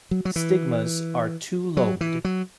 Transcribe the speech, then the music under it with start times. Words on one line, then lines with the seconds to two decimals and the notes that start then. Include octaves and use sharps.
Stigmas are two-lobed.
0.11 F#3
0.25 F#3
0.36 E3
1.77 F#3
2.01 E3
2.25 F#3